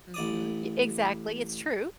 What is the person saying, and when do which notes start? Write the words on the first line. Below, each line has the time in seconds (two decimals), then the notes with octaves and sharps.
Mhm, ye exactly, it's true.
0.14 A1 D5 D#6